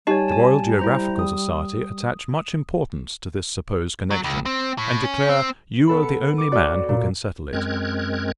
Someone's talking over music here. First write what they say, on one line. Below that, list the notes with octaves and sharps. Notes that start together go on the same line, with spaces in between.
The Royal Geographical Society attach much importance to this supposed connection, and declare you are the only man who can settle it.
G3 D#4 G4 C#5 D#5 G#5 A5
G#5 A5
E4 C5 A#5
D#6
F#3
C#2
C4
A2
C#4
C4
B3 A4 B5
C#7
D6 C#7
F#4 D5
A#2
F#2 G#3 C4 A#4 F#6 G#6